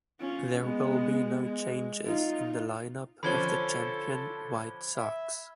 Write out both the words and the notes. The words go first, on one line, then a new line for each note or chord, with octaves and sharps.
There will be no changes in the lineup of the Champion White Sox.
C#4 F4
G#3 B3
G#3
D#4 F4
D3 F3 C#4 A4 B5 G#6 G7
E5